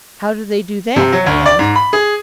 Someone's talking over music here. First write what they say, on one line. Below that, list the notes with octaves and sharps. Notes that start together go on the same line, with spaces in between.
"How do they do that?" I asked.
C3
F#3
D2
D5
G#2
B5
G#4